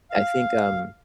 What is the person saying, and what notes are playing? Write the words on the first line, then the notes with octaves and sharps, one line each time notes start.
I think, um,
F5